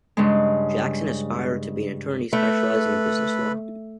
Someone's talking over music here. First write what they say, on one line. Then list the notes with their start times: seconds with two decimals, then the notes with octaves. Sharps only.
Jackson aspired to be an attorney specializing in business law.
0.17 G2 C#3 G#3
2.33 A3 A4 B4 B5